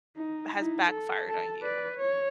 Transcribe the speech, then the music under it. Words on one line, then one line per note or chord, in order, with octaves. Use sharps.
has backfired on you?
D#4
D#4 E4
A4
A4 A5
B4 D5
C#5